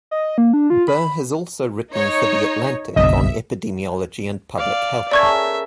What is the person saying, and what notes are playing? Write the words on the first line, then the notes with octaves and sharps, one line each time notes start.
Burr has also written for "The Atlantic" on epidemiology and public health.
D#5
A#3
D4
F4
B5
D#4 C#5
F#1 B1 D3 D#5 E5
D5 F5
C#3 A4 A#4 D5 E5 C#6 G#6